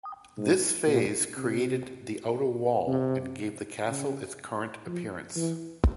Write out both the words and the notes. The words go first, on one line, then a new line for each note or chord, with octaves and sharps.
This phase created the outer wall and gave the castle its current appearance.
G#2
A#2
C3
C3
C#3
F3
E3